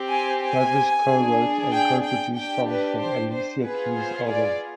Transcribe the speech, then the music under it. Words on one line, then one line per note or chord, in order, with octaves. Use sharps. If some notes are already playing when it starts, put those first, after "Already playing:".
Brothers co-wrote and co-produced songs from Alicia Keys's albums.
Already playing: C4 G4
G#5
G#5
D4 G#4
G5
G5
D4 G4 G5
B4
C5
C5
B3 F4 G#4 B4
C5
D5